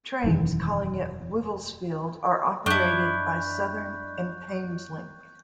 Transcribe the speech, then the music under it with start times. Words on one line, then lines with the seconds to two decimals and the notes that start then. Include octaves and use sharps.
Trains calling at Wivelsfield are operated by Southern and Thameslink.
0.24 E1 F#2 D#3 E3
2.66 F#2 D4 E4 D#5 C#6 F#6 G6